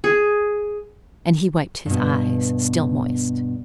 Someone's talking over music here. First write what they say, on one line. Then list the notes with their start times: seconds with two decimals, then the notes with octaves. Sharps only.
And he wiped his eyes, still moist.
0.04 G#4
1.86 G2 B2